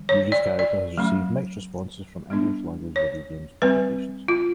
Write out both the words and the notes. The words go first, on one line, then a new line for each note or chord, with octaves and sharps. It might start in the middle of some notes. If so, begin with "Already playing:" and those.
Yuri's character has received mixed responses from English-language video games publications.
Already playing: D#3 G3
C#5
D5
D5
F#3 A3 C#4
G3 B3 D4
C#5
G3 C4 B4
F4